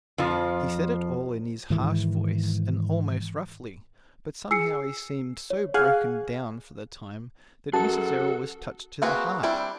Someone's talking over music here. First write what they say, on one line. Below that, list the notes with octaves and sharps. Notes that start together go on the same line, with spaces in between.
He said it all in his harsh voice, and almost roughly, but somehow he seemed so broken down for the time that Mrs. Errol was touched to the heart.
F2 F3
G#2 D#3 E3
G#4 E6 C7 C#7
C#5
G#4 F5 F#5 G#5
F#2 F#4 G#4 A4 A5
A#3 C4 F#4 G#4 B4
G3 C4 D4 E4